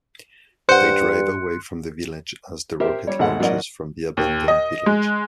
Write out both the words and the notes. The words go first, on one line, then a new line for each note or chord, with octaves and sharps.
They drive away from the Village as the rocket launches from the abandoned Village.
G2 C5 F#5 C6 F#6 C#7
G4 A#4 C5 E5
G3 C#5
G#1 B2 G#3 A3 F#5
A1 F#3 A#3 D5 D#5 F#5
D#2
D#5
G#3